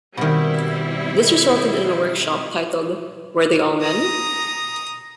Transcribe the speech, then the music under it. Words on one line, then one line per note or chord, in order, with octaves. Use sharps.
This resulted in a workshop titled Were they all men?
B2 D#3 G3 C4 E4
A#5 D#6